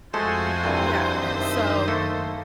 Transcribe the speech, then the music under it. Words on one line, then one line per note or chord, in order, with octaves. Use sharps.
Yeah, so,
F2 G#3 A3 F4 F#4 A4 C5 G#5
C2 G2 C3
F#2 D#3 D4 D#5 E5
A3 A#3 A4